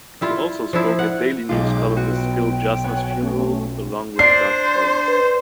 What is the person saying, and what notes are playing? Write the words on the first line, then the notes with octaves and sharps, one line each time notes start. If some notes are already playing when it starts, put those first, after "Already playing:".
He also spoke at Daily News columnist Phil Jasner's funeral, along with Doug Collins.
G3 E4 F4
F3 D4 E4
F#5
B1 G#3 D#4 F4 D6
B3 F#4 G5
B3 C#5 F#5 G#5
A3 C#4
D4 C5 C7
B4